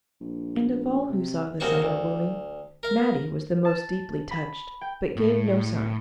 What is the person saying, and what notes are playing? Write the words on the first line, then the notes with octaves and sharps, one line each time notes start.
And, of all who saw the summer wooing, Mattie was the most deeply touched, but gave no sign.
A#1
C3
D#2 C#3 A#3 F#4 C5 C#6
D2
A#4 F5
A5
B5
G5
A2